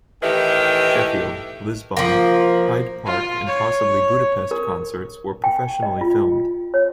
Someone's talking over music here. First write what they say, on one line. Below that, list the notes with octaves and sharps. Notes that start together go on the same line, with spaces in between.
Sheffield, Lisbon, Hyde Park and possibly Budapest concerts were professionally filmed.
A2 D#3 E3 G4
F3 A#3
F4
C#5
A#4
G5
D#5
F4
C#5